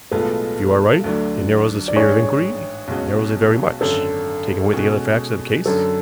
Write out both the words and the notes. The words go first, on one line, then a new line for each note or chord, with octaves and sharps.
"If you are right, it narrows the sphere of inquiry--narrows it very much, taken with the other facts of the case."
B1 A2 G#3 B3 F4 A4
D2 D3 F#3 A3 D4
D5
A1 G#2 G#3 D4 G#4 C#5
B1 B2 G#3 C#4 F#4
G#1 F#2 D3 A4
B2 G#3 C#4 F#4
F#2 D3 F#3 A4